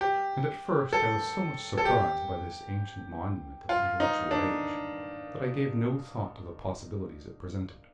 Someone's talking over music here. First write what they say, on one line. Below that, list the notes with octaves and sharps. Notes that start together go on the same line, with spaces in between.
'And at first I was so much surprised by this ancient monument of an intellectual age, that I gave no thought to the possibilities it presented.
G4
A4
A4
G4
F4
D#4
D4